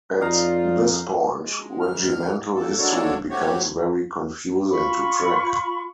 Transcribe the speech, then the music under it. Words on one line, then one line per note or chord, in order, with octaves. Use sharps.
At this point, regimental history becomes very confusing to track.
F2 D#4 F4 D5 F5 A#5
G#3
D2 G#2 F6
A#3 A4
G#3 A#3 D4 F#4 A4 C#5
F#3 A3 C4 F#4 G4 C#5
F4 B5 C#6